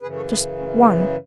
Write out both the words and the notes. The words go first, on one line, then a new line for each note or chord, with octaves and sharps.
Just one?
F#2 C#3 E3 G#4 B4
A4 C#5
G#4 B4
A3 C#4
G#3 B3
G#3 B3